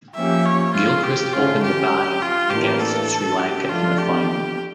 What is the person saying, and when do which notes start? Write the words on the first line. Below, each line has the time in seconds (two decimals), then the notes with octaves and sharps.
Gilchrist opened the batting against Sri Lanka in the final.
0.15 F3 A#3 C#4 G4 E5
0.45 C#5
0.74 F4
1.03 G4
1.33 D3 A3 C#4 F4
1.63 G4
2.22 F4
2.50 A2 E3 A#3 D4 G4
2.80 A4
3.39 G4
3.68 F3 A3 D4 F4
3.98 G4